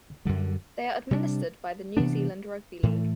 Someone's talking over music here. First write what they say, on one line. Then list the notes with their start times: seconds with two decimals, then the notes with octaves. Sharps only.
They are administered by the New Zealand Rugby League.
0.25 F#2 D3 G3
1.11 C3 G3 B3 D4
1.97 C3 E3 B3 D4
2.83 A2 E3 A3